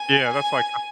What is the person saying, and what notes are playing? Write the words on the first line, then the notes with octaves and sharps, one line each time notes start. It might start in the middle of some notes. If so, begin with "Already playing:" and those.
Yeah, that's like
Already playing: G#5
G#5